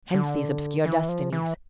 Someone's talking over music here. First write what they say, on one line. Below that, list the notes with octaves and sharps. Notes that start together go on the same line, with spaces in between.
Hence these obscure destinies.
D3
E3
F3
E3